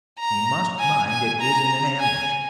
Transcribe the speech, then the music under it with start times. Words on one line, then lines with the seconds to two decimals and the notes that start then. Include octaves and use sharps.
We must mind it isn't an ambush.
0.20 A#5
0.79 G#5
1.10 G#5
1.41 A#5
2.00 G#5